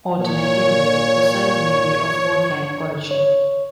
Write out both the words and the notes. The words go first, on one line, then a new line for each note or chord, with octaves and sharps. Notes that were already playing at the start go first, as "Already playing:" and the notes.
Alternatively, the site may be of volcanic origin.
A#2 C#5
C#5